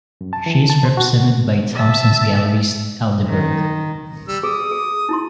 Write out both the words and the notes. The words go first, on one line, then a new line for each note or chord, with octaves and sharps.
She is represented by Thompson's Galleries Aldeburgh.
F#2
A5
E3
A5
C5
F#4
E5 A5
D#3
G3 E6
G#4 D#6
G#4
D#4 E4 C6